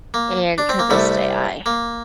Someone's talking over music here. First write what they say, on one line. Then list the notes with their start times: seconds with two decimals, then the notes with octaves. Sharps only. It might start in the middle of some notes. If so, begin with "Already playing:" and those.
And to this day, I
0.14 A#3
0.58 D4
0.69 C4
0.79 A#3
0.90 C2 C3 G3 A3
1.66 A#3